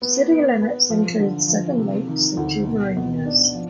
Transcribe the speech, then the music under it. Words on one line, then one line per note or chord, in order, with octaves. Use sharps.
The city limits include seven lakes and two marinas.
B3
B3
B3
F3
D3
F3
C3
D#3
D2
B2
B2
D4
F3